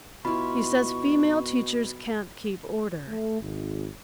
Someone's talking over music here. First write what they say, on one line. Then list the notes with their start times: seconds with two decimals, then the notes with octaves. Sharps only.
He says female teachers can't keep order.
0.25 B2 E4 F4 B5 C#6
3.08 A3
3.41 G#1